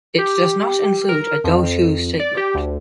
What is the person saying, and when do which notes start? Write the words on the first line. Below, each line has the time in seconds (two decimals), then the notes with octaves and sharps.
It does not include a goto statement.
0.18 G4
1.09 A#4
1.44 F2
2.20 D5
2.37 G4
2.55 D2